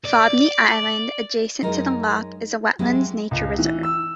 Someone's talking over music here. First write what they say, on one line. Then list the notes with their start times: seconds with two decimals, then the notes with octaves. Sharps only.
Fobney Island, adjacent to the lock, is a wetlands nature reserve.
0.05 D5
1.62 F#2 G#3 D#4 A#4
2.79 F#3 G#3 C4 E4 G4
3.31 C#2
3.59 E3
3.83 E6